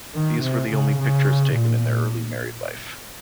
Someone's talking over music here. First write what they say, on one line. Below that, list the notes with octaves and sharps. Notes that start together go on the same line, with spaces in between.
These were the only pictures taken in their early married life.
D#3
C3
C#3
C#3
A#2